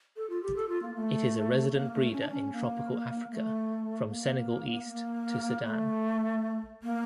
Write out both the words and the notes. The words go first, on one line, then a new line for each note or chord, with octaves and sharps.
It is a resident breeder in tropical Africa from Senegal east to Sudan.
A4
F4
G4
A4
F4
A#3
A3
A#3
A3
C#4
D4
C#4
A#3
A3
A#3
A#3
A3
A#3